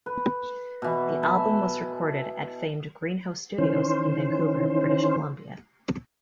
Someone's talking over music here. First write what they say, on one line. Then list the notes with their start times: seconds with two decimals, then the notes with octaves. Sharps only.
The album was recorded at famed Greenhouse Studios in Vancouver, British Columbia.
0.06 B4
0.82 B2 E3
1.23 E5 G#5 A5 B5
3.58 D#3 E3 C#4 C5